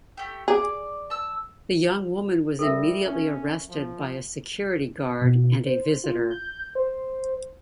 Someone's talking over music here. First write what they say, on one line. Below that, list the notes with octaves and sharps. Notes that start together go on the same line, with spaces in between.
The young woman was immediately arrested by a security guard and a visitor.
A3 G4
G#4 D5 D6
A5 E6
G3 A4 A#4 E5
C#4
F3
B2
C5
F4
G6
C5